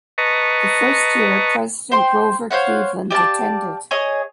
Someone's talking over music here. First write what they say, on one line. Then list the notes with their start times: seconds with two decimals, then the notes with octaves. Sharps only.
The first year, President Grover Cleveland attended.
0.18 B4 D#5 A5 A#5 C#6
1.92 C5 G5 C6
2.51 C5 C#5 F5 F#5
3.10 G4 D5 F5 A5
3.91 G#4 C#5 D#5